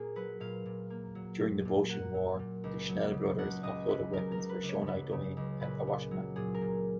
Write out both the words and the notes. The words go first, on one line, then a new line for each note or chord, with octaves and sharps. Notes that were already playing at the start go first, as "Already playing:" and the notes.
During the Boshin War, the Schnell brothers offloaded weapons for Shonai Domain at Awashima.
Already playing: A#2 A#3 G#4
F#3 B4
A#2 F5
A#2
A#3
F#3
A#2
A#2
A#3 F#5
F#3
A#2
C#2
F#3
C#3
C#2 F#5
C#2 D#5
F#3 B4
C#3 A#4
A#4
C#2
B4
C#2
C#5
F#3 B4
C#3
C#2
A#2 B4
B3
F#3
A#2 G#4
A#4
A#2